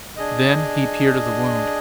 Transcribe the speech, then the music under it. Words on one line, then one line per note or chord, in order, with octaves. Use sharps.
Then he peered at the wound.
D4 G#4 D#5